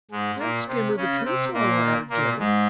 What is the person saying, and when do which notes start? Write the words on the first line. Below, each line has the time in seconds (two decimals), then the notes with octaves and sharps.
"And Skimmer the Tree Swallow," added Jenny.
0.11 G#2 G#3
0.39 A#2 A#3
0.68 C3 C4
0.97 C#3 C#4
1.25 C3 C4
1.53 A#2 A#3
2.10 A#2 A#3
2.38 G#2 G#3